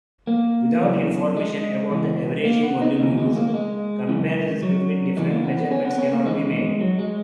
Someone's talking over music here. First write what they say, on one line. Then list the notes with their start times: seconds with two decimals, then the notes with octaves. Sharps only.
Without information about the averaging volume used, comparisons between different measurements cannot be made.
0.27 A#3
0.82 E2 C#3 E3 F#3
1.37 G#3
1.91 E2 C#3 E3
2.45 A#3
2.63 B3
2.81 D#4
2.99 D#2 C#3 E3
3.18 G#3
3.36 A#3
3.48 A#3
3.54 G#3
4.09 F#2 C#3 E3
4.63 F#3
5.17 E2 C#3 E3 G#3
5.31 A#3
5.44 B3
5.58 B3
5.71 C#4
5.85 B3
5.99 C#4
6.12 A#3
6.26 E2 D#3 G#3
6.80 F#3
6.99 G#3